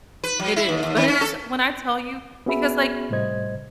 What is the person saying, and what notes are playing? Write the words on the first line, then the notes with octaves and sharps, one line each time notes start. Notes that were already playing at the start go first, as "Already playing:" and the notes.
it is. But it is when I tell you because, like,
B4
F#3
E4
D#2
D#2
D#3
C#4
A4
B3 C#4 F#4 G#4 E5 B5
A2 C3 G3 C5 D#5 G#6